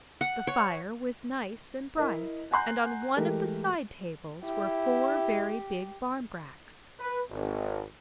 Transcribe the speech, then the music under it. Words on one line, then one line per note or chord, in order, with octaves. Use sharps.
The fire was nice and bright and on one of the side-tables were four very big barmbracks.
F#5
C#5
E4 A#4 D#5
F#5 G#5 A#5 C6 F#6 G6
E3 G#3 A3 G4 A#4
E4 G4
B4
G#1